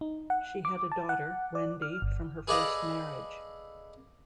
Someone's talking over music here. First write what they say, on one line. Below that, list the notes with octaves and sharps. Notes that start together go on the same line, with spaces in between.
She had a daughter, Wendy, from her first marriage.
D#4
F#5
D6
A5
F#5
D5
F6
G1
G#4 A4 B4 D5 D#5 F5